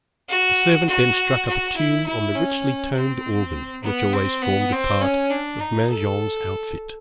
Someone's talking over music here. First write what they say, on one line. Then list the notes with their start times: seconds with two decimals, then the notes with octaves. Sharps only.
The servant then struck up a tune on the richly-toned organ which always formed a part of Mangin's outfit.
0.29 F#4
0.88 F#4
1.46 F#4
1.76 E4
2.06 E4
2.35 C#4
2.94 C4
3.83 B3
4.13 C4
4.42 B3
4.72 C4
5.01 C#4
5.31 D4
5.60 D#4
5.90 A4